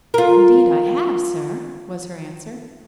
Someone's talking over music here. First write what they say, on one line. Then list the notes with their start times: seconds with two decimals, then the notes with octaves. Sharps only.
"Indeed I have, sir," was her answer.
0.14 F4 A#4